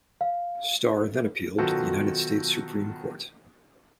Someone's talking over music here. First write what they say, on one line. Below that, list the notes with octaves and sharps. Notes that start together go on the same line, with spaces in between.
Starr then appealed to the United States Supreme Court.
F5
B2 D#3 F#3 F4 F#4 A4